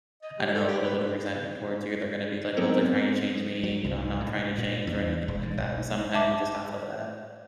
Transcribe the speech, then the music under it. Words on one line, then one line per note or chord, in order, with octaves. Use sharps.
I don't know, a little bit of resentment towards you, they're gonna be like, "Well, they're trying to change me, you know, I'm not trying to change or anything like that," and sometimes you just have to let,
D#5
G3
A4
G4
B4
F#3 B3 C4 D#4 A4 A#4
F#3
C2
A2
A#2
E2
E1
G#2
B1
E5 A5 D6